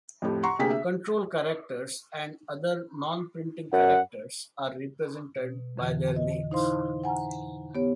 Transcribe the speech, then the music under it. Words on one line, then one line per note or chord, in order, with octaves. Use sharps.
Control characters and other non-printing characters are represented by their names.
F2 A2 G4
F#5 A#5 C6 C#6
D2 C3 A#3 G#4 G5 B6
E5
F#2 F#5
B2
F2 D3 E3
D#5
D#4 E4 C5 F5 C6
F#5 G#5 A#5
B3 G4 C#5